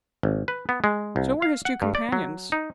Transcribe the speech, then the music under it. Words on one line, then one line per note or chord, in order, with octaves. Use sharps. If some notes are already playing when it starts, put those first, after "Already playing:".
So were his two companions.
G#1
B4
B3
G#3
C2
F5
F#5
G2
D5
F#3
D#4